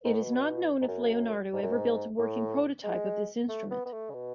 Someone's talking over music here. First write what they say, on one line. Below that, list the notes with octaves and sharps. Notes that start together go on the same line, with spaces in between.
It is not known if Leonardo ever built a working prototype of this instrument.
G#2
A2
B2
G#2
F#2
G#2
F#2
G#2
A2
G#3
A3
B3
B3
A3
C#3
B2